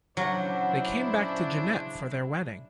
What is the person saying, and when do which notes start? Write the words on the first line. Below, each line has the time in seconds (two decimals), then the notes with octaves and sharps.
They came back to Jeannette for their wedding.
0.17 A#2 C#3 F#3 D4 E4 G4 C5 F#5